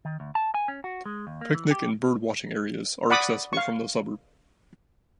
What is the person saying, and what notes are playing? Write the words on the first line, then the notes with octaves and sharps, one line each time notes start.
Picnic and bird-watching areas are accessible from the suburb.
D#3
D2
A5
G#5
C#4
F#4
G#3
D#2
A#3
E3
G4
D5 F#5 B5 D6 D#6
F5 C#6